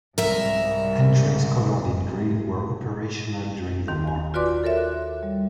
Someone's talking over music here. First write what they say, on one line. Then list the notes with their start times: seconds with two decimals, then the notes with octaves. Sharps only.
Entries coloured in green were operational during the war.
0.18 C2 G#2 A#4 E5
3.88 D#2 D#3 C6
4.07 G#5
4.34 F4 F#4 B4 D5 C6 D6
4.64 A4 A#4 C#5 E5
4.77 F#6
5.23 G3